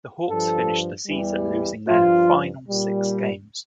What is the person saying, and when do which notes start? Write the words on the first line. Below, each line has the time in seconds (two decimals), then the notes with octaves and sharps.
The Hawks finished the season losing their final six games.
0.28 G2 F3 A4
1.07 E2 E3 G3
1.87 G2 F3 F4
2.67 A#2 G3